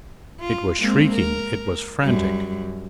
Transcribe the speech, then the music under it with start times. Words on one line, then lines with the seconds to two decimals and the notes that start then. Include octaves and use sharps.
It was shrieking, it was frantic!
0.40 F4
0.80 G#3 A#3 C4
1.13 A#4
2.02 F#2 G3